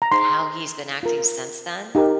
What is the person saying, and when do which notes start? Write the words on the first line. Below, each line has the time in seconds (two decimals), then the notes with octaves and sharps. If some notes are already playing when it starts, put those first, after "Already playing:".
how he's been acting since then.
0.02 A#5
0.12 D#4 G#4 C5 C6
1.03 F4 A#4
1.95 D#4 G4 A#4